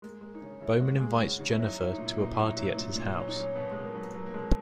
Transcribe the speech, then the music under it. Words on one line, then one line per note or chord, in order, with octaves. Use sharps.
Bowman invites Jennifer to a party at his house.
G#3 A#3
G#3 A#3
D#4
C#3 C#4
C#3 E4
G#3 F#4
G#3 G#4
C#3 F#4
C#3 D#4
E4
F#3
D#4
F#3 E4
D#4
A#2
E4
A#2 D#4
E4
F#3
D#4
F#3 E4
A#2 D#4
A#2
F#3 C#4
D#4
F#3 C#4
B2 B3
B2 G#3
A#3
F#3 B3
F#3 A#3
A#3
B2 G#3